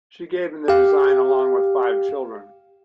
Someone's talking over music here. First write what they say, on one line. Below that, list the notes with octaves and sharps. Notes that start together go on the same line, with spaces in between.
She gave him the design, along with five children.
G4 F5